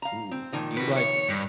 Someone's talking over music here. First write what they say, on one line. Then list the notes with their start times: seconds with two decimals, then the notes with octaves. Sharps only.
Ooh, do you like
0.02 F5 A#5
0.31 C4
0.52 A#2 D#3 F3
0.77 F#4 B4
0.96 C#5 C#7
1.29 G2